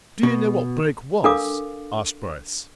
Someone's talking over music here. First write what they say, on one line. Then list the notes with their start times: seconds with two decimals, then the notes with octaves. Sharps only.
"Do you know what Brake was?" asked Bryce.
0.23 B2
1.24 D4 A4 A#4 F5 D6